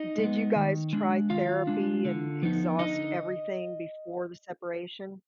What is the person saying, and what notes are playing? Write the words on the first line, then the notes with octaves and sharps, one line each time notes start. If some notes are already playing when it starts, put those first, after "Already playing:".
Did you guys try therapy and exhaust everything before the separation?
Already playing: D#4 D#5
G#3
B3
D#3
G#3 D4
D#3 F4 F5
G#3 D4
D3
F3 B3 D#4
D3 D#4 D#5